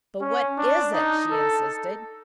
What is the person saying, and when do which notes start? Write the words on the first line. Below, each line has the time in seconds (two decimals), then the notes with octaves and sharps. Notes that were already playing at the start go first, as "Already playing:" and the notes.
"But what is it?" she insisted.
0.21 C#4
0.58 D4
0.94 D#4
1.31 A4